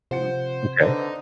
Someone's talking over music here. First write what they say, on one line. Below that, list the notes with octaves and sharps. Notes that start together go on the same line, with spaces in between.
Mm, okay.
C3 F3 C5 F#5 C#7
D3 D#4 B4 C5